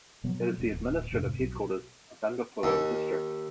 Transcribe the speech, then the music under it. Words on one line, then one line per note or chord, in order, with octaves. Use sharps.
It is the administrative headquarters of Dungarpur District.
B2 F3 F#3 B3
E1 F2 G#2
D1
F1 G#2 C3 D#3
B1
D#2